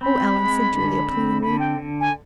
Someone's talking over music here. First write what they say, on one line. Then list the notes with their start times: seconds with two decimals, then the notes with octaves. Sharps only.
"O Ellen!" said Julia pleadingly.
0.01 C4 B5
0.36 G#3
0.72 D3
1.07 C4
1.42 D3 B5
1.59 G5
1.78 D3
2.01 G#5